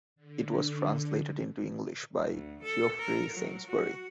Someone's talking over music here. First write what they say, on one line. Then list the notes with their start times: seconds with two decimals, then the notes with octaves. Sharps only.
It was translated into English by Geoffrey Sainsbury.
0.16 D3
2.32 D2
2.62 A4
2.99 A#4
3.33 F#3
3.66 F#4